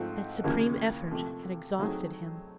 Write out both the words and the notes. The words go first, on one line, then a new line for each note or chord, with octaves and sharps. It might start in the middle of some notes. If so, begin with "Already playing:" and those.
That supreme effort had exhausted him.
Already playing: G#2 F3 A3 C4 F4
D#2 C#3 F3 A#3
C3 F3 A3
F#3 A3 C4 D#4 G#4